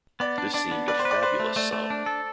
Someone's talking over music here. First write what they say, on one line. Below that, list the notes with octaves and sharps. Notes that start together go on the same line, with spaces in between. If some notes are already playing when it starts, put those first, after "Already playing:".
This seemed a fabulous sum.
B3 D5
D4
D4 D5
B3
B4 D5
C5
B4
D5
B4 C5
A3
A3 D5
A3
D4
A4